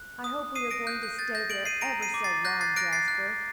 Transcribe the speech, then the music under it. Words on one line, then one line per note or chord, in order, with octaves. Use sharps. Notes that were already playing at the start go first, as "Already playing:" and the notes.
"I hope we are going to stay there ever so long, Jasper."
Already playing: F#6
D#6
D#6 C7 D#7
A#6 D7
F#6 G6
G6
G6 A6
G6 A#6
G6 D7 F#7
C7 D#7
A#5 A#6 D7
C7 D#7
D6
A6 C7
F#6 G6 A#6
A6 C7
F#6 A#6 D7
A6 C7
F#6